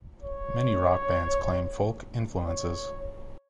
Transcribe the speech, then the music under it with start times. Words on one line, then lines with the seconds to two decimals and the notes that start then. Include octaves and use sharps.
Many rock bands claim folk influences.
0.23 C#5
2.47 C#5